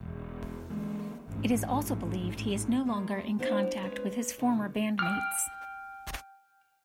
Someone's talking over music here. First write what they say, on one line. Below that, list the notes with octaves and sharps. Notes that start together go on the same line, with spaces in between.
It is also believed he is no longer in contact with his former bandmates.
E1
E3 G#3 A#3
A1 G#2
G3 G#3 A#3
G3 B3 D4 E4 C5 C#5
G#3 C#4 B4
B2 D3 D#3
G5 F6